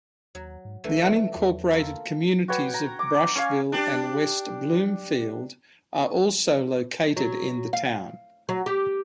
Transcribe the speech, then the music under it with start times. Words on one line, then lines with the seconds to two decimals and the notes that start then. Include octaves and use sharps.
The unincorporated communities of Brushville and West Bloomfield are also located in the town.
0.35 D#2 F#3
0.65 G#2
0.84 D1 D3 E3 A3
1.36 E2
1.70 A#3 F4 A4
2.48 F#4 B4 C#5 G5
2.74 A#5
2.99 D6
3.35 C#4 C#5 F5 G#5
3.72 D4 G4
7.17 F#3
7.73 F5
8.49 F#3
8.66 G4